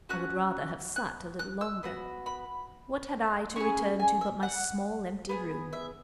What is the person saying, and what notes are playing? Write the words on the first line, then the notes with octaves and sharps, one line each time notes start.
I would rather have sat a little longer; what had I to return to but my small empty room?
C#4 F#4 F#6
F#6
F#6
E6
B3 F#4
B5
C#4 E4 G#4 C#6
G#5
E5
F#5
B3 E4 G#4
E5